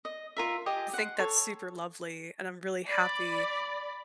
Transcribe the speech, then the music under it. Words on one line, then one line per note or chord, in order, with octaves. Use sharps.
think that's super lovely, and I'm really happy,
D#5
F4 A#4 E5
G4 D#5 G#5
F#5 C6
A4 C#5
D5 B5